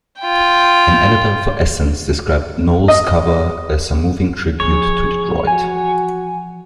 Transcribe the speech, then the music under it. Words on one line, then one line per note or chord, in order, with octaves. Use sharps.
An editor for "Essence" described Knowles' cover as a "moving tribute to Detroit".
F4 G5
D#5
E3 F3 G#4 C#5
F#4 G#5